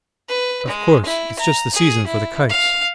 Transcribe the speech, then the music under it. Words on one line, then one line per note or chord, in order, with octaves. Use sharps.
Of course, it's just the season for the kites.
B4
G#3
E4
A#5
G#4
E4
F5